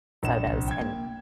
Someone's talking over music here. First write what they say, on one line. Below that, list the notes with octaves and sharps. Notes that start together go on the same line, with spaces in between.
photos and
A#1 E7
C2
G5 G#6
A#3